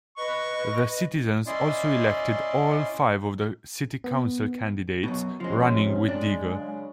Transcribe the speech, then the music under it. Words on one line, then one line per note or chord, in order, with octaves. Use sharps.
The citizens also elected all five of the city council candidates running with Deger.
B4 D#5 C#6
C#4 E4 D5 D#5 C6
B3
F#2 B2 F#4
C3 F3 G#3 C#4 C6
G#3 D4
C#3 F#3 C#5